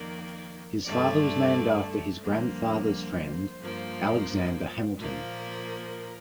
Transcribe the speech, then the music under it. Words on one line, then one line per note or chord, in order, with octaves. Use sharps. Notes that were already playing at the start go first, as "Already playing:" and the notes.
His father was named after his grandfather's friend, Alexander Hamilton.
Already playing: F2 D#3 A#3 D5
G2 D3 A3 D5
F2 D3 G3 A#3 C5
C5
G2 F3 A#3
A#2 F3 A#3
A#4